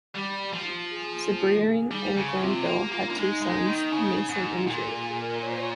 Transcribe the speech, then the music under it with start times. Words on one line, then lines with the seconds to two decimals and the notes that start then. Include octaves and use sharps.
Cibrian and Glanville have two sons, Mason and Jake.
0.15 G3 G4
0.53 F3
0.91 G#4
1.66 G#4
1.91 G3
2.16 C#3
2.41 C3 F4
2.66 A#3 F4
2.81 G4
2.92 A#3 F4
3.10 A#3 C#4
3.16 G#3 D#4
3.42 G#3
3.67 D#3
3.92 C#3
4.29 G#2
4.47 D#4
4.57 F4
4.66 A#2 G4
4.87 A#4
4.92 G#4
5.17 A#4
5.42 C#5
5.51 C5
5.59 C#5